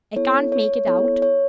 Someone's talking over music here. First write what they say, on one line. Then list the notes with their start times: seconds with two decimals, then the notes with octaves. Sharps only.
I can't make it out.
0.16 B3 E4 A4 C#5
0.52 C#5
0.87 B3 E4 A4 C#5
1.22 C#5